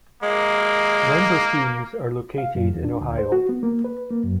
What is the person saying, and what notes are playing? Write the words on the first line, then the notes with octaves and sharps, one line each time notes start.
Member teams are located in Ohio.
G#3 A#3
F5
F#2
E2
D4
D2
C5
F#4
B3
A#3
B4
A#3
F#2